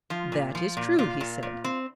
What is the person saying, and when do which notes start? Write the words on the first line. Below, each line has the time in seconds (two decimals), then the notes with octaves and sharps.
That is true, he said.
0.10 F3 F4
0.32 A#2
0.55 F3
0.77 A#2
0.99 A#2 F4
1.21 A#2
1.43 A#2
1.64 C4